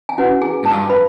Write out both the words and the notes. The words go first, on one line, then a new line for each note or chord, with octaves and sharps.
you know,
G#5
C#4 E4 F#4 B4 F#5
G#4 G#5
A4 A5
B4 B5